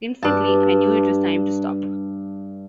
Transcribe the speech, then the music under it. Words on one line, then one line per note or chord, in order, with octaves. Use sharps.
Instantly I knew it was time to stop.
G2 A5